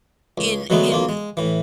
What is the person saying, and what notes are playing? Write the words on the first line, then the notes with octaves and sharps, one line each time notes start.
in in
C#2
B2 D3 F#3 G#3 A3 B3
B1 A#3 F4
G#3
A2 E3